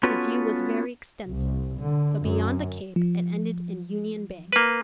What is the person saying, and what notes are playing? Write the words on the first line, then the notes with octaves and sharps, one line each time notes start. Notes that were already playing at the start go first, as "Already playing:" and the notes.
The view was very extensive, but beyond the cape it ended in Union Bay.
B3 C#4 F4 F#4 A4 B4
C2
D3
F#2
F3
A#3 B4